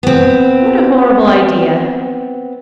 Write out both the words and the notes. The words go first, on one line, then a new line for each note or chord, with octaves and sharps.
What a horrible idea!
B3 C4